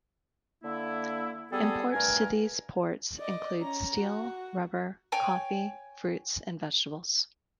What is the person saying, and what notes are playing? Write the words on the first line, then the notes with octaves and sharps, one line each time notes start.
Imports to these ports include steel, rubber, coffee, fruits, and vegetables.
D3 A#3 E4
G3 B3 G#4 A4
G2 A3 A#4 G#5
D5 D#5
C#4 A#5
F#4
C#5 G5 G#5